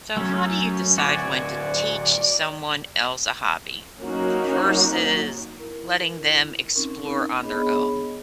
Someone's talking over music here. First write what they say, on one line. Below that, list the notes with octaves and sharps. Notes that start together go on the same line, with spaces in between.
So how do you decide when to teach someone else a hobby v versus letting them explore on their own?
F#2 F#3 A3 C#4
D2 A2 F#4 D5 G#5
F#3 A#3 C#4 D#4 F#4
E4 A#4
C4 C#4 D#4 A#4
B3 D4 G#4 C#5 D#5 B5